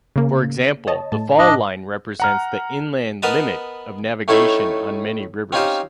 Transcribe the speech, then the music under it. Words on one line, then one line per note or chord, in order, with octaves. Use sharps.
For example, the fall line represents the inland limit of navigation on many rivers.
C#3 A#3
C#5 D#5 A5
A2 A5
D4 D#5
F#5 A#5 F6
B3 A#4 B4 D#5 A5
A2 A3 C#4 D#4 E4 A4
C4 C#4 D#4 F4 G4 C5